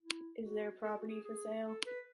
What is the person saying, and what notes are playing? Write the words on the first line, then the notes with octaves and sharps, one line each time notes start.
Is there a property for sale?
E4
F#4
A4
G#4
F#4
G#4
G#4
A4
B4